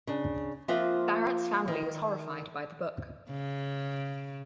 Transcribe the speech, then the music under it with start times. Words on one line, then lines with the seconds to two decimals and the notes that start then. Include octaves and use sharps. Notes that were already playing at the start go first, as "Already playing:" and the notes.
Barrett's family was horrified by the book.
0.07 C#3 D4
0.68 F3 A#3 C4 F4 E5 F#5
1.68 D#3
3.31 C#3